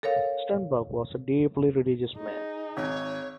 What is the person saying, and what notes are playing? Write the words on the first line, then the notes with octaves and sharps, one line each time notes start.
Sternberg was a deeply religious man.
A4 A#4 C#5 F5
D#4 G#4
G#1 C#5